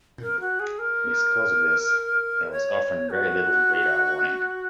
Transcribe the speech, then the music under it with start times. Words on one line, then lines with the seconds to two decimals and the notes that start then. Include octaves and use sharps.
Because of this there was often very little radar warning.
0.21 A#4
0.40 F#4
0.60 G#4
0.79 A#4
2.52 C#5
3.10 F#4